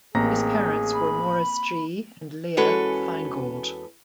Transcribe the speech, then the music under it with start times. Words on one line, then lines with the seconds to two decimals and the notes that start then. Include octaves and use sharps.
His parents were Maurice G. and Leah Feingold.
0.15 A1 A#3 C4 G#4 G5 A#5 A#6
0.93 B5
2.57 E2 G#3 C#4 F#4 A4 B4